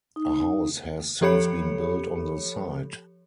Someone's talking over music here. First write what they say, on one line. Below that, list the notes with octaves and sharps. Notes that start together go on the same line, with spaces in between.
A house has since been built on the site.
D#4
F3 G4 A4 C#5 B5 C#7